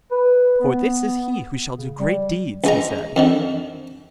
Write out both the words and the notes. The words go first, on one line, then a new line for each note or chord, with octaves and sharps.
'For this is he who shall do great deeds,' he said.
B4
B3
C#3
G3
C#2 G#3 A#5
F2 D3 D#3